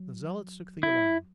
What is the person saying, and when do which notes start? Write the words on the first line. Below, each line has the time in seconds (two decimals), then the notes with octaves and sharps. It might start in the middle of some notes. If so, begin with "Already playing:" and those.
The zealots took the alarm.
Already playing: F#3
0.83 E4